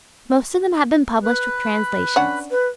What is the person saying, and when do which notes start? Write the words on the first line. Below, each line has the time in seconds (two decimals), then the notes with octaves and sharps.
Most of them have been published with translations.
1.24 B4
2.16 C#4 D4 F#5
2.51 B4